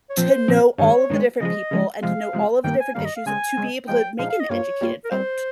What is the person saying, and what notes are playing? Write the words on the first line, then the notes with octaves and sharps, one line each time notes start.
to know all of the different people and to know all of the different issues to be able to make an educated vote.
C#5
A#2 F3 C4 C5
A#2 F3 C4
G2 D#3 G#3 C#5
G2 D#3 G#3
C#3 F3 G#3 D#5
C#3 F3 G#3
C3 F3 G#3 F5
C3 F3 G#3
G2 D#3 G3 A#3 G5
G#5
G2 D#3 G3 A#3 F5
D#5
F5
C#3 G#3 C4 G#5
C#3 G#3 C4
A#2 F3 G#3 D#4 G5
A#2 F3 G#3 D#4 F5
F5
D#5
G2 G3 A#3 F4 C#5
G2 G3 A#3 F4
A#4
A#2 G3 C4 C5